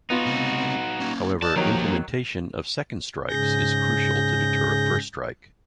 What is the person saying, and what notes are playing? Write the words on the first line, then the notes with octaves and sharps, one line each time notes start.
However, implementation of second strikes is crucial to deter a first strike.
B3 D#4 F4 F#4
C#2 C3
A#3 C#4
D5 D#5 A5
D#3 F3 F#3 A#3 G4
G#2 C#3 G#4 G6 A#6